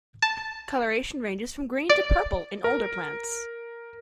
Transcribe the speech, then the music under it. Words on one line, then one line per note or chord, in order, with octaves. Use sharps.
Colouration ranges from green to purple in older plants.
A5
D5
A#4